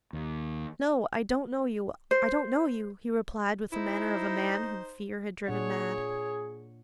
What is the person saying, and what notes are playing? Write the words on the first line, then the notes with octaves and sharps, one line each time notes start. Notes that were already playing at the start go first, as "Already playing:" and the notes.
'No, I don't know you--I don't know you,' he replied, with the manner of a man whom fear had driven mad.
D#2
C5
D#4 E4 C5
A#2 D4 G#4 C#5 F#5